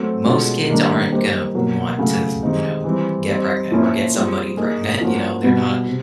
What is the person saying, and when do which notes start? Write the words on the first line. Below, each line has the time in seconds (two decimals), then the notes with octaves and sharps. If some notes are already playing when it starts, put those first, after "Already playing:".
most kids aren't gonna want to, you know, get pregnant or get somebody pregnant. You know? They're not
Already playing: F#3 A3 C4
0.25 B2 G#3 C#4 F4 A4
0.68 D#3 G3 A#3 D4
1.12 G3 A#3 D#4 G4 C5
1.54 B2 F#3 A#3
1.98 C#3 F#3 A3
2.41 D#3 G#3 C4 D#4 G4
2.84 E3 G3 C4
3.28 G3 C4 D#4
3.71 A#2 F3 A#3 C#4 E4
4.15 G3 C4 F4 G#4
4.57 A#3 D#4 G#4
5.01 F3 A#3 C#4 F#4
5.43 B2 G3 B3
5.86 C3